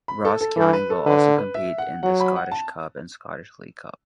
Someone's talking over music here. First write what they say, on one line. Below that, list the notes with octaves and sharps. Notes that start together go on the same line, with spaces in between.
Ross County will also compete in the Scottish Cup and Scottish League Cup.
B5
A4
A4
E3 A4
B4
A4
D3 B4
B4
E5
F#5
F#3 F#5
B5
F#5
A5